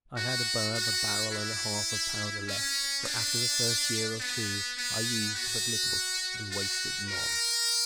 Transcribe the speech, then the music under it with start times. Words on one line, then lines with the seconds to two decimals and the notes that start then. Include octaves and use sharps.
I had above a barrel and a half of powder left; for after the first year or two I used but little, and wasted none.
0.17 F#4
0.74 F#4
1.32 E4
2.48 C#4
3.05 D4
4.20 B3
4.78 B3
5.35 F#4
6.51 F#4
7.09 A#4